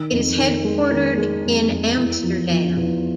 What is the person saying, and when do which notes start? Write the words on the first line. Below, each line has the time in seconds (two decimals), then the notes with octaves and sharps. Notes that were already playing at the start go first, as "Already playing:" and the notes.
It is headquartered in Amsterdam.
Already playing: D#3
0.12 F2
0.38 D#3
0.64 G#3
0.91 D#3
1.18 G#3
1.44 F2
1.70 F2
1.97 E2
2.23 F3
2.50 F3
2.77 E2